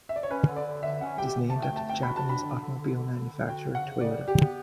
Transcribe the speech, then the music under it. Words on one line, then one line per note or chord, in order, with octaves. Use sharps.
It is named after the Japanese automobile manufacturer Toyota.
E5
D5
C#5
C#4 B4
D3
D5
D3
D3 E5
C#4 F#5
G4 G5
D3
A5
A3
G5
A3 A5
D3 G5
B5
F#4
A5
D4 B5
D3
D3
D3
D3
D3
D3
F#4 G5
C#3
F#5
C#3
C#3 D5
C#3
G4
B3